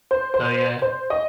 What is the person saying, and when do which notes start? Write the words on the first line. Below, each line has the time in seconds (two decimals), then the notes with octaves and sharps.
So, yeah.
0.11 C5
0.34 C5
0.82 C5
1.10 D#5